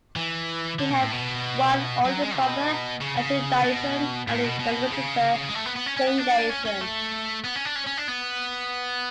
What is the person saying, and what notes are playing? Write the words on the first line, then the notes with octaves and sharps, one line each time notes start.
He has one older brother, Andrew Dyson, and a younger sister, Jayne Dyson.
E3
D3
B2
A2
B2
F#3
G#3
B2
C#3
C#3
B2
A2
B2
B2
C#3
G#3
A3
B3
B3
C#4
C#4
B3
D4
C#4
C#4
A3
B3
C#4
D4
C#4
C#4
D4
B3